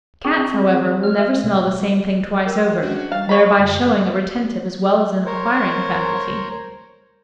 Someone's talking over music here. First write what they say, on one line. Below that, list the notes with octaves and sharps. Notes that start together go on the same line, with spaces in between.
Cats, however, will never smell the same thing twice over, thereby showing a retentive as well as an acquiring faculty.
C4 E4 G#4 C#6
F6
E5
B2
A#4 G5 E6
C#4 D4 F#4
G3 F5 A6
C#5 B5
F#2 D3 G#3
A#4 C5 C#5